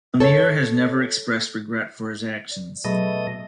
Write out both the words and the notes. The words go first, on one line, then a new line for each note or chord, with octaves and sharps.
Amir has never expressed regret for his actions.
A4 C#5
D5
B2 F#3 A3 G#4 D#5 B5